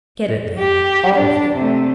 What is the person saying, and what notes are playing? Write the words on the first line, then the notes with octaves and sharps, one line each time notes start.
'Get it, then--all of you.
G4
D4
C3 A3